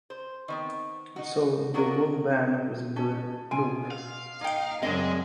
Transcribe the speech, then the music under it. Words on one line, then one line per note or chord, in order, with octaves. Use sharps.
So, the whole band was in the loop.
C5
D#3 B3 C4
D#4 F#4
D#3 F#3 C#4 D4 F4 A#4
C#4 A5
B2 G#5 C6 D7
F5
A#3 D#4 G5
F#2 C#3 G#3 C4 D4 D#5